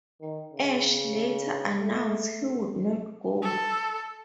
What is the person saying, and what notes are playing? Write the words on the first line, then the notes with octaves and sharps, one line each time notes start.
Ash later announced he would not go.
D#3
C#3
A3
A4